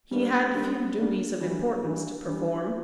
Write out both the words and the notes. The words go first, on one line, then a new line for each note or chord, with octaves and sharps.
He had few duties of importance to perform.
G3 A#3 D4
G3 A#3 D4
G3 A#3 D4
E3 G3 D4
E3 G3 D4
E3 G3 D4